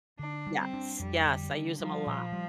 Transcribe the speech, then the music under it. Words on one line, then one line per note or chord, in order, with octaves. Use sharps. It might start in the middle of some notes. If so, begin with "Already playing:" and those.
Yes, yes. I use 'em a lot.
D3 D4
G3
C4
D4
F2 G3
D3
D4
F3 G3
A#2
G3